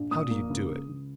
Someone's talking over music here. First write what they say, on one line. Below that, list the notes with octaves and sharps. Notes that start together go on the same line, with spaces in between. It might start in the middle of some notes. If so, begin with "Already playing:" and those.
How do you do it?
Already playing: A#1
A#2 D#6
A#3
C#2
C#2
C#2